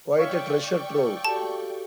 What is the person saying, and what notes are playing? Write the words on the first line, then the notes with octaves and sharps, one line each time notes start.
Quite a treasure-trove.
C#5 D5 E5 F5 G5 C#6
F#4 G4 A4 A5